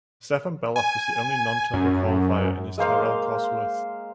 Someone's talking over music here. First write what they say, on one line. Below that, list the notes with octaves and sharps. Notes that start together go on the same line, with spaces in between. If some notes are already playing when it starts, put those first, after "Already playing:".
Stefan Bellof was the only non-turbo qualifier in his Tyrrell-Cosworth.
G#5
F#2
G#3 A#3 C5 F5